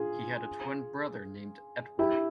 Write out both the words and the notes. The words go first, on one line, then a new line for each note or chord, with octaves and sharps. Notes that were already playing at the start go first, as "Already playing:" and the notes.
He had a twin brother named Edward.
Already playing: F4 G#4
E4 G4